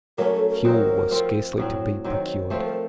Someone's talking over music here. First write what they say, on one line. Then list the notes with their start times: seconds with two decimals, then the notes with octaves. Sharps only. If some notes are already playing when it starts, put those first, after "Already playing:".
Fuel was scarcely to be procured.
0.18 F#3 A3 C#4 A#4
0.34 A4
0.49 A#4
0.64 F#3 C4 D#4 F#4 A#4
1.11 F3 C4 F4
1.58 A2 F#3 C4
2.04 D#3 F#3 C4
2.50 F3 A3 C4 F4 C5
2.66 A#4